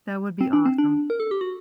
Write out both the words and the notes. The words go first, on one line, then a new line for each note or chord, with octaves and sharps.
That would be awesome.
C4
D4
C4
D4
A#4
A4
G4
F#4